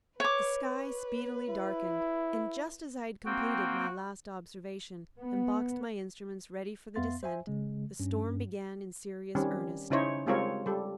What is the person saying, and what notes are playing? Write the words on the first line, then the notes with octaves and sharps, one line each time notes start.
The sky speedily darkened, and just as I had completed my last observation and boxed my instruments ready for the descent, the storm began in serious earnest.
B4 C#5 D6
E4
A#3 C4 F#4 G5
B3
F2 B3 E5 F5 C6 A6
C5 E5 G#5
C#3 G#3
G2 C#4
D#3 G3 C4 C#4
C#3 C#4 D#4 E4 C5 C#5
G3 G#3 C4 F4 A#4 C#5
G3 A4